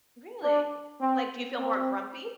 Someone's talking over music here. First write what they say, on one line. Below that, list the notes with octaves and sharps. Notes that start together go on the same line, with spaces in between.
Really? Like, do you feel more grumpy?
D4
C4
C4